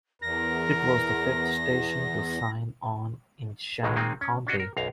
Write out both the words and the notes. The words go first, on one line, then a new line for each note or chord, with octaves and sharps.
It was the fifth station to sign on in Chemung County.
E2 A#4 A#6
B1 G#2 B2 D#3 F#3 G#3
D#3 G#3 A#3 C4 D#4
C#4
C#4 D4 F#4 D#5
A#4
B1 F#2 F5 A#5